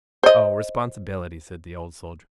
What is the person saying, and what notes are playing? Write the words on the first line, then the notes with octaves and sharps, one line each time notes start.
Responsibility!' said the Old Soldier.
C5 D#5